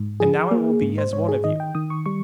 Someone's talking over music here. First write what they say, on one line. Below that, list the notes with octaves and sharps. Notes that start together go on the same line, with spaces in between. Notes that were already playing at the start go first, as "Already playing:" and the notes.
And now I will be as one of you.'
Already playing: G#2
F3 G#4
A#3
G#2
C5
G#2 C#5
G#4
D#3 D#5
G5
D#3 D#6
C#6
G3 C#6